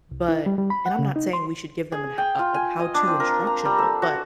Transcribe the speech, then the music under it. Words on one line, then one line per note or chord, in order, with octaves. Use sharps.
but and I'm not saying we should give them an ha uh, a "how-to" instructional, but
C2
E4
G3
G3
B5
F#5
C#3
D#4
C6
G#4
G5
F4
G#5
D#5
D4
C4
A#4
A#5
G3
A4
F#4